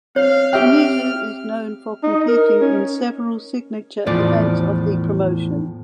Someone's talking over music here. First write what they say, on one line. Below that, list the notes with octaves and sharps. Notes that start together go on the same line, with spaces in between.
Shimizu is known for competing in several signature events of the promotion.
C4 C#5 F5
G4 E5 G5 F6
D#4
A#4
C#4
E2 A2 F3 D5